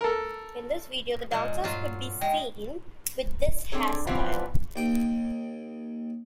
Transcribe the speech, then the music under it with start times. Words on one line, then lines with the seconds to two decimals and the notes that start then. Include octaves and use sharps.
In this video, the dancers could be seen with this hairstyle.
0.01 A4 A#4
1.31 A#2 G#3
1.64 G2 F#3 F4
2.21 G#3 G5
3.72 C4 D4 G#4 A4 C#5
4.07 E3 F3 G3 B3 C4 F4
4.76 D#2 G5